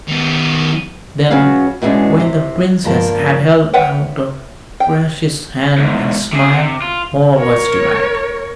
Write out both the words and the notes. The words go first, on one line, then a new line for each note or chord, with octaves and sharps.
Then, when the Princess had held out a gracious hand and smiled, all was delight!
D#3 B3
B2 F#3 C#4 G#4 F5
E2 B2 G3 G#3 C#4 D4
C3
G2 F3 A#3 D4 A#4 A5
B4 C#5 E5 F#5 G5
G5
E2 G#2
C3 G#4
C3
F4
A#4 C#5